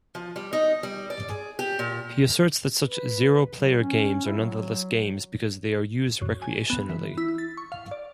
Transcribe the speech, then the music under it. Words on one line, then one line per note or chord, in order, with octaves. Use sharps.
He asserts that such zero-player games are nonetheless games because they are used recreationally.
F3
G3
D#4
G3
D5
G#4
G4
A#2
B4
F#3
C#4
E4
F#3
F#2
G#5
B3
E3
E4
A6
C#6
F5
D5